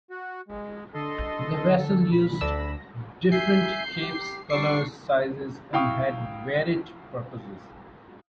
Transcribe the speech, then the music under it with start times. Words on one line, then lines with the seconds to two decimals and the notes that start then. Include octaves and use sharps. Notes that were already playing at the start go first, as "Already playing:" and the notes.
The vessels used different shapes, colors, sizes, and had varied purposes.
0.10 F#4
0.48 G#3
0.94 D3 A4 D#5 C6
1.78 A4
2.12 A#2 B5
2.41 D2 D4 E6 A#6
3.32 E5 G#5 G6 C7
4.01 G4
4.50 G3 D4 C#6 D6 C7
5.73 E4 F5 G5 C#6 D#6